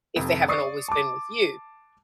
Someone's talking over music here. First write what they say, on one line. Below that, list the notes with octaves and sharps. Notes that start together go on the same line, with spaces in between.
if they haven't always been with you.
F1 F2
D5 C#6 D#6 C7
A5 D6